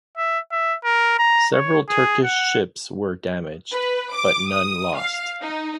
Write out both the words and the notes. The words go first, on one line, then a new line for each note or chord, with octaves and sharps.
Several Turkish ships were damaged, but none lost.
E5
E5
A#4
A#5
C#5
G#4
F#5
B4
D6
D#6
F5
D#4